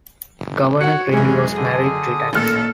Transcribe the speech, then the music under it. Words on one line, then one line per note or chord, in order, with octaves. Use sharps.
Governor Greenly was married three times.
F#4 C#5 F#5 C#7
F#1 E3 G#3 C#4 G#4
D3 D#6
A1 A#2 D#3 A4 F6